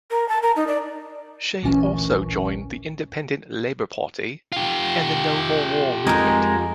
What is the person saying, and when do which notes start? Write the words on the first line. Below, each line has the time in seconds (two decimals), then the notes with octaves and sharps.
She also joined the Independent Labour Party and the No More War Movement.
0.10 A#4
0.29 A5
0.43 A#4
0.56 D#4
0.68 D5
1.63 A1 D2 A#2 E3 C#4
4.52 F4 G4
6.07 F2 G#3 D#4 A#4